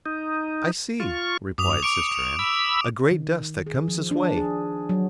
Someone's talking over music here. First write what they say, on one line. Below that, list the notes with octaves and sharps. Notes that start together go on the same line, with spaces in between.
"I see," replied sister Anne, "a great dust that comes this way."
D#4
F4 C#6
F#2 D6 D#6 F7
C#6 D6 D7 F7
B5 E6
D#3
G#4
F3
D4
G#4
F#3